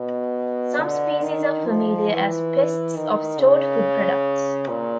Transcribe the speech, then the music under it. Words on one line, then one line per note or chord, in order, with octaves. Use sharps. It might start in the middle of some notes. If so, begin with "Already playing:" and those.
Some species are familiar as pests of stored food products.
Already playing: B2
D3
D#3
F3
E3
D#3
C#3
A#2